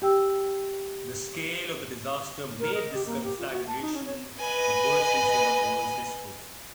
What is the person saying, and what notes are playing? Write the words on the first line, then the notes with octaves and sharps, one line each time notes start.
The scale of the disaster made this conflagration the worst in Singapore's history.
G4 G5 E6
A#4
D#5
G4
A#3
G4
F4
F#4
A5
D#4
C#4
C#5
B4 D#5 G#5